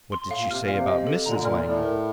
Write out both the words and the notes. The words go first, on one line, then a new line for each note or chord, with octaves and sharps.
"What did she say about Mrs. Langmore?"
C6
A2
F5
A#2
C3 F6
A#2
F5
C3
D#5
A4
A#2 D3 A#5
A#2 D3
F6
A#2
A2 D5
A#4